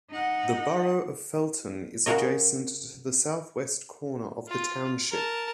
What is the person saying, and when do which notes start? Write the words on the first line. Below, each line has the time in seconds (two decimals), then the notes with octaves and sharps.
The borough of Felton is adjacent to the southwest corner of the township.
0.10 D#4 F#5
2.06 C#3 F#4 G#4 A#4 C#5 D#5
4.48 F4
5.11 A#4 A5